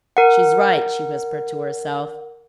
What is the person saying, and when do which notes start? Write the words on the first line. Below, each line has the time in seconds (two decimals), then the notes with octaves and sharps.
"She's right," she whispered to herself.
0.17 A#4 F#5